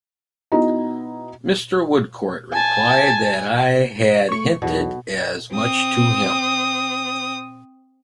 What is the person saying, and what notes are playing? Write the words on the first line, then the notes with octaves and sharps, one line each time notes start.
Mr. Woodcourt replied that I had hinted as much to him.
B3 D#4 E4 F#4 D#5 A#5
G#5 A5
A3 C#5 C#6
B1 E2 B2
C4 D#6